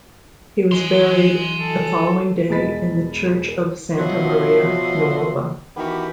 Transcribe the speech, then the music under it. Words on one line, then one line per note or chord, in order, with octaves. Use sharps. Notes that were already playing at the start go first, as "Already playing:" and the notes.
He was buried the following day in the church of Santa Maria Nuova.
E3 F#3 G#5 C6
A4
E1 G#3 B5 A6 B6
B2 F3 F#3 F#4 E5 C6
D#3 E3 B3 F#4 G4